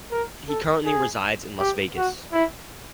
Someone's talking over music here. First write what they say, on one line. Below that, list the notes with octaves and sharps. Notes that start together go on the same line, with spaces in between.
He currently resides in Las Vegas.
A#4
A4
G#4
G4
F#4
E4